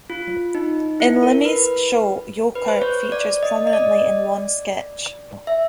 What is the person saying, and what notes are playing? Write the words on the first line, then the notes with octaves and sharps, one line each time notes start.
In Limmy's Show Yoker features prominently in one sketch.
F4
D#4
E4
A#4
B4
B4
C5
C#5
D5
D#5
D#5
D5
E5